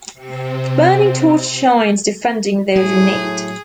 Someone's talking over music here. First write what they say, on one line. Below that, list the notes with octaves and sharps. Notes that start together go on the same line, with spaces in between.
The burning torch shines defending those in need.
C3 C4
A2 F#3 G#4